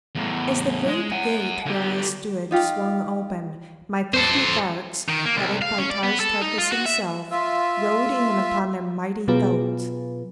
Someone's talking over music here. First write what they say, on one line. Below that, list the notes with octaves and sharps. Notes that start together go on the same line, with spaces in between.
As the great gate where I stood swung open my fifty Tharks, headed by Tars Tarkas himself, rode in upon their mighty thoats.
E2 A2
G#3 D#5
F#5 G#5
D3 G4
D#4 F4 G4
A4 C5
D#3
A#3
C2
F5
C#4
D5
B3
A4
D#4
F4
F#4
E5
F4 E5
B2 F#3 B3 F4 G#4 B4